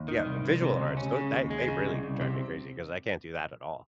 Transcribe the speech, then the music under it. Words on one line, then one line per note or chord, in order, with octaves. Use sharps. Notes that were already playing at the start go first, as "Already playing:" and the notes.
Yeah, visual arts, those that they really drive me crazy 'cause I can't do that at all.
Already playing: D#2
D#3
C2
C2
C3
C#2
C#4
C#3
D#2
G#3
C#3
C2
C2
C3